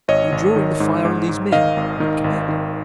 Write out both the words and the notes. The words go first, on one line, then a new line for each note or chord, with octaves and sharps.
"You're drawing the fire on these men," Wood commanded.
G#1 C#5 D#5
G#1
D#3
G#2
G#2
G#2
D#3 D#5 F5
G#1
D#3
G#1
D#3